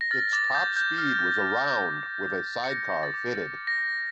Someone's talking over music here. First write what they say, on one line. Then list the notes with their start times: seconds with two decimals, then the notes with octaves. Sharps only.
Its top speed was around with a sidecar fitted.
0.01 A#6
0.11 F6 A6
0.33 D6 A6
0.55 D6 G6
0.76 F6 G6
0.98 F6
1.19 D6
1.41 D6
1.63 F6
1.84 F6
2.06 D6
2.27 D6
2.49 F6
2.64 C#7
2.70 F6 A#6
2.92 D6
3.03 A6
3.14 D6
3.35 F6 A6
3.57 F6
3.67 A#6
3.78 D6